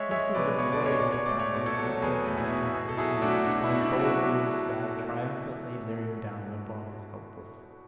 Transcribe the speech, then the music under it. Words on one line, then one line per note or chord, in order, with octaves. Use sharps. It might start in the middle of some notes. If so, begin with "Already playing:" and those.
He seemed to glory in his power, relentless and untiring, as he swung boldly in the sky, triumphantly leering down upon his helpless victims.
Already playing: G#3 C#5 E5
G#3 C#5 E5
B2 B4 D5
B2 C#5
D5
G#3 C#5
D5
G#3
C#5
A3 D5
C#5
B2 D5
A4 C#5
F#3
E2 G#4 B4
A3
E4 G#4
B2
B2
A4
F#3 E4 G#4
A3 D4 F#4
B2 D4 F#4
E4
B2
D4
F#3 E4
D4 F#4